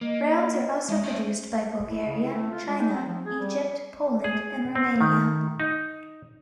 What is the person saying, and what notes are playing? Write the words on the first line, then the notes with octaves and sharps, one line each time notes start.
Rounds are also produced by Bulgaria, China, Egypt, Poland, and Romania.
A#3 D#5
G#3 E5
C#4 D4 C5
E4
C#3
E4
A3
F4
G#3
D#4
C4
F3
G#4
G3
G#4
C4
D#3
D#4